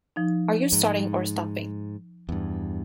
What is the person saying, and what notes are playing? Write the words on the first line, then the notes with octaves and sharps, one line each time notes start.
Are you starting or stopping?
F3 D#4
G#2
E2 G2